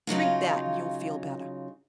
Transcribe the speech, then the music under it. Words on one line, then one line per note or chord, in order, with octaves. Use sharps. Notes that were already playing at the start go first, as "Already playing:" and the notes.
"Drink that and you'll feel better."
C#3 F#3 D#4 F4